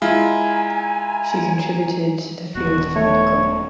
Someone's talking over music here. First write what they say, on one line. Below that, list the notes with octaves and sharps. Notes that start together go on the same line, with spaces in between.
She contributed to the field of medical.
G#3 E4 F4 G#5 A#5
D#1 B3 F#4
A3 C#5